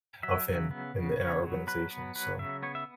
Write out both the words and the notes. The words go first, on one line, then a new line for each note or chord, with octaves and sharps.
of him in the in our organization, so
F#3 E5
C#3
B3
C#3
B3 C#5
F#3
F#3 B4
B3
F#3 B4
C#3 E5
B3 C#5
E5